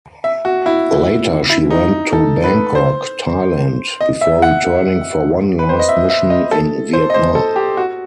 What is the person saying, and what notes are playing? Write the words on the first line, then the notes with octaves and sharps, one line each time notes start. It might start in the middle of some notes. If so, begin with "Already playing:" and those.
Later she went to Bangkok, Thailand before returning for one last mission in Vietnam.
E5
F#4
E4
E4
D#4
A4
B4
C5
D#5
E5
F#5
B4
C5
D#5
E5
E5
D#5
A4
C5
D#5
C5
A4
G4
F#4